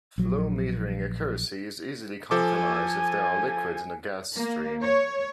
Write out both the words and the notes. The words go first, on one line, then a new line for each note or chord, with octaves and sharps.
Flow metering accuracy is easily compromised if there are liquids in the gas stream.
A#1 F#3
F3 A4 G#5 D6
A#3
C#5